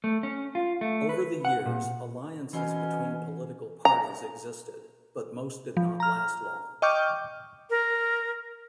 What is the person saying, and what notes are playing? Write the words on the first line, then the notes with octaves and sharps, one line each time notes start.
Over the years, alliances between political parties existed, but most did not last long.
A3
C#4
F4
A3
B4
F#5
A#2
B2 E3 C#4 C5
A#5
F3
A#5 F6
D#5 G5 C#6 D6 F6 G6
A#4